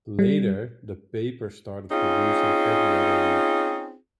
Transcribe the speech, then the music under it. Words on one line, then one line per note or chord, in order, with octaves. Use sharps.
Later, the paper started producing every other week.
G3
C4 C#4 D#4 F4 G#4